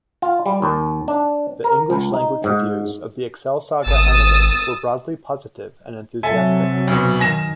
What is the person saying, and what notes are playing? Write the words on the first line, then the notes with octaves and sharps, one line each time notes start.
The English-language reviews of the "Excel Saga" anime were broadly positive and enthusiastic.
F4
G3
D#2
D4
A#4
C#2
D#4
G#2
G#1 D#6 E6 A6
C3 F#3 A4 E5 G#5
D2 B2
D#3 G#5 A#6 E7